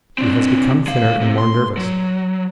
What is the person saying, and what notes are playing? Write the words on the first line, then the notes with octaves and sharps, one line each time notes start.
He has become thinner and more nervous.
C4 D4
G#3 F5
C3
C6
F#3